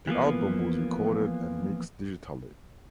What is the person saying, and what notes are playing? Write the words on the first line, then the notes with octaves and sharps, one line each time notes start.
The album was recorded and mixed Digitally.
E3 F3 A#3 B3